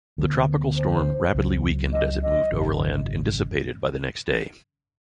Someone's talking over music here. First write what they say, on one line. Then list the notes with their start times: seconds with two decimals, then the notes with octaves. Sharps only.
The tropical storm rapidly weakened as it moved overland and dissipated the next day.
0.18 D2 D3 G3 B3
0.77 C5
1.35 C#2 C#3 F#3
1.93 D#5
2.23 D#5
2.52 G#1 F#2 C#3